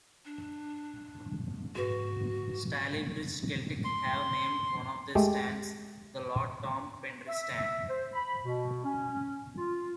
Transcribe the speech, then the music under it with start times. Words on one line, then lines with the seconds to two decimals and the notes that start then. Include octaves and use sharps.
Stalybridge Celtic have named one of their stands "The Lord Tom Pendry Stand".
0.25 D4
1.75 G#2 F#4 B4
3.85 C6
5.15 G#3 A3 G4
7.28 E5
7.89 C5
8.13 B5
8.44 B2
8.84 C#4
9.56 F4